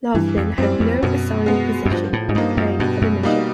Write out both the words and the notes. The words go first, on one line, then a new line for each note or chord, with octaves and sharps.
Laughlin had no assigned position on the plane for the mission.
G2 E3
F2
F#2 G3 C4
F2
F#2 B2
G#3 B3
F#2
G2 F3
A2
G#2
G2 A#3 D#4
F#2
G2 B2
F#2
G3 A#3 D#4